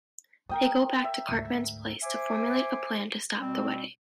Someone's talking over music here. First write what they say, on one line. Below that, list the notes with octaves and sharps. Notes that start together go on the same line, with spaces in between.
They go back to Cartman's place to formulate a plan to stop the wedding.
B3 A#4 G5 D#6
E5
D2 G#2
C5 E5 G#5 D6
B2 G3 C4